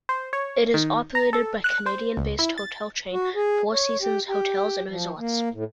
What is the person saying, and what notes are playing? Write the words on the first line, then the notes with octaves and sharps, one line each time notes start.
It is operated by Canadian-based hotel chain, Four Seasons Hotels and Resorts.
C5
C#5
D#3
A#5
A4
F#6
C5
C#2
E4
A6
F#4
G#4
C#5
G4
G4
F3
A#3
A2